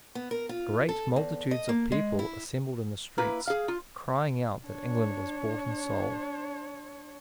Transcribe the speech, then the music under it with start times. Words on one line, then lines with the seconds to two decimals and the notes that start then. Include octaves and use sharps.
Great multitudes of people assembled in the streets crying out that England was bought and sold.
0.15 B3
0.31 A#4
0.49 F4
0.89 A4
1.16 E2
1.51 D#5
1.69 A#3
1.92 G#3
2.19 E4
3.18 A#3 E4 B4
3.47 G#4 F5
3.68 F4
4.66 D4 C#5